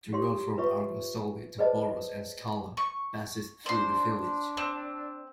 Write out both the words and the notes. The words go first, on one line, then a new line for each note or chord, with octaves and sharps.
The road from Argostoli to Poros and Skala passes through the village.
G4 C#5 C6
F4 B4 C#5 E5 C#6
G#4 B4 C5 D5 D#5 A5
C#6
D4 C5 C6
C4